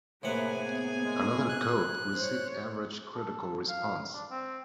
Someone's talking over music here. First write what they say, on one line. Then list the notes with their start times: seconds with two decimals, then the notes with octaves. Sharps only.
"Another Code" received average critical response.
0.23 A2 C3 A#3 G#4 B4 F#5 G#5 G#6
0.61 A#3 B3
1.04 G#3
1.49 F#6
2.16 C5 C#5
3.14 A4
3.69 F5
4.13 D4
4.31 C4